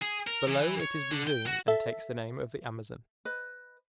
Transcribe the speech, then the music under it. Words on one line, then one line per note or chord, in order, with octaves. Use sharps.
Below, it is Brazilian, and takes the name of the Amazon.
G#4
A#4
E3
C#5
D3
G5
F#4
A4 E5
B4 D#5